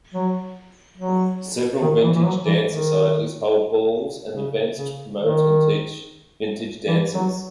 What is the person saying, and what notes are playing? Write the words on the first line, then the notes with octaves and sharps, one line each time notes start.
Several Vintage Dance Societies hold balls and events to promote and teach Vintage dances.
F#3
F#3
D#3
E3
E3
F#3
E3
D#3
C#3
C#3
D#3
E3
F#3